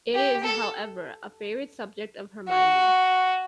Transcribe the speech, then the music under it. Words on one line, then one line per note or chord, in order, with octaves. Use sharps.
It is, however, a favourite subject of Hermione.
G4
A4
F#4